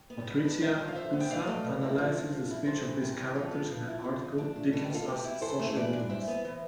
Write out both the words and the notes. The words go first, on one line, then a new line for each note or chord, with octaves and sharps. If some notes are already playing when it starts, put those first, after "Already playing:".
Patricia Poussa analyses the speech of these characters in her article "Dickens as Sociolinguist".
Already playing: G5
B3
B2
D4
D3 C5 E5
F3
F5
D3 C5 E5
B3
G5
B2 D5 F5
A3
B2
E4
F3
C4
F3
E4
C3 A4 C5
E3
C3 G4 B4
G3
F3 F4 A4
B3
F3
E4
D3
F3
D4
A3
B2 A4
G4
B3
F4 A4
B2 G4 B4
E4
E3 A4 C5
A3
E5
E3 B4 D5
D4
D5
E3 C5 E5
B3
E3